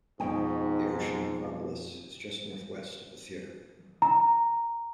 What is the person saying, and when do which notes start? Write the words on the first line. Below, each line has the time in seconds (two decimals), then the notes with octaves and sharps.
The ocean necropolis is just northwest of the theater.
0.20 F2 G#2 B2 D#4 G5
4.02 A#5